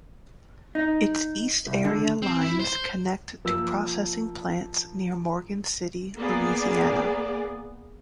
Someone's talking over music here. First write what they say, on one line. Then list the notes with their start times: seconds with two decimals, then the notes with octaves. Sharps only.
Its East Area lines connect to processing plants near Morgan City, Louisiana.
0.75 D#4
1.67 C2
1.85 D3
2.22 C4
2.41 E4
2.60 C5
3.45 F3 A#3 E6
6.17 A#3 B3 G#4 D5